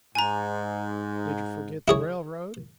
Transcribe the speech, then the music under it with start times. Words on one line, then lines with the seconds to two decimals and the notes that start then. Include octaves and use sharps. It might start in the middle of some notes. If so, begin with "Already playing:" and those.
Did you forget the railroad?
0.15 G#2 G#5 A#5
1.88 E4 G#4 C#5